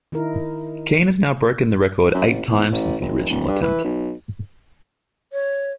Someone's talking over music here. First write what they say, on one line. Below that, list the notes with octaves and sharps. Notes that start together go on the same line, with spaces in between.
Keene has now broken the record eight times since the original attempt.
D#3 D#4 E4 A#4
F#2
A1
E2
A1
F#1
D1
G2
E3
B1
C#5